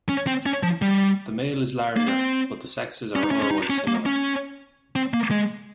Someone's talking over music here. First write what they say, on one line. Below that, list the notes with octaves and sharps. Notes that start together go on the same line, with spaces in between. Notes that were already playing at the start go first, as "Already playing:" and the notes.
The male is larger, but the sexes are otherwise similar.
C#4
C4
C#4
F3
G3
A#3
C4
C#4
D#4
C#4
C#4
D#4
C#4
A#3
C#4
C4
A#3
G#3